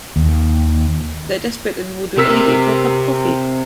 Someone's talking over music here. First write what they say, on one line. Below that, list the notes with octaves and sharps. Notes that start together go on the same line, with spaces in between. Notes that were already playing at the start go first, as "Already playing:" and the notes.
They're desperate and will do anything for a cup of coffee.
D#2
C3 A#4 E6 B6